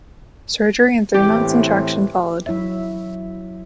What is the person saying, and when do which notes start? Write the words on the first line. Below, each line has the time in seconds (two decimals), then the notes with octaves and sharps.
Surgery and three months in traction followed.
1.14 A2 C3 E3 G4
2.46 F#3 E4 C#5 E5